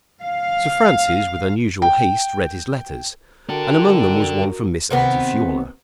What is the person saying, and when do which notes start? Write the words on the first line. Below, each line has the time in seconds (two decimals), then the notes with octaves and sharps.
Sir Francis with unusual haste read his letters, and among them was one from Miss Altifiorla.
0.23 F5
1.82 G5
3.49 D4 F#4 A4 A#4 G5
4.90 C3 D#3 B3